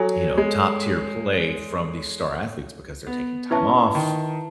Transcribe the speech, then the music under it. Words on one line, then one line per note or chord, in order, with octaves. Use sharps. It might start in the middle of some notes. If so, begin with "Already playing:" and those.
you know, top tier play from these star athletes because they're taking time off.
Already playing: F#3 A4 C#5 G#5
G#3
B3
C#4 E4 B4 E5 A5
D#3